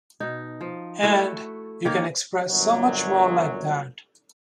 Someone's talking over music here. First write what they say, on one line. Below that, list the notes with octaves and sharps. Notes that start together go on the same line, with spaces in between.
And you can express so much more like that.
B2 D#4
F3
A3 E4 F#4
D#3 A#3 C#5
G1 F#2 A#2 F#3